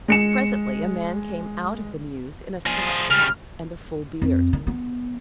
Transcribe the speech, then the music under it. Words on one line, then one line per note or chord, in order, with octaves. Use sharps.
Presently a man came out of the mews in a Scotch cap and a full beard.
G#3 C#7 E7
F3 G#4
C#3 G3 F6
F2
D#3
B3